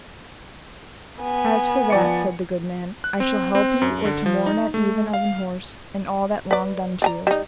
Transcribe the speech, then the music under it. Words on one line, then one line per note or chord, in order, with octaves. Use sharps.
As for that, said the good man, I shall help you or to-morn at even of an horse, and all that longed unto you.
B3 G#5
F3 D5 C#7
F#6
C4
C4
F#2
D3
F3
D#4
A3
F5
B4 D5
D5 G#5 A#5
G3 D#4